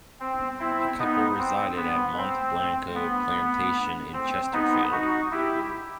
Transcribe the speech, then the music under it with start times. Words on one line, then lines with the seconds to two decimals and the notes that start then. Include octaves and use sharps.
The couple resided at Mont Blanco plantation in Chesterfield.
0.20 C4
0.59 C4 E4
0.99 B3 D#4
1.38 C4
1.77 B3
2.17 C4
2.95 B3
4.13 C4
4.53 B3 D#4
4.92 D#4 F#4
5.31 E4 G4